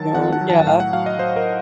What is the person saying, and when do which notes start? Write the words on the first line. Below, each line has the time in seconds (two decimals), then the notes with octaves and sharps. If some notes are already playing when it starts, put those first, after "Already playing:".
soon, yeah.
Already playing: D#3 F#3 A5
0.15 D#3 F#5
0.33 F#5
0.41 F#3
0.50 A5
0.67 A2 F5
0.80 F#5
0.93 F#3 F5
1.06 D#5
1.19 F#3 C5
1.36 A#4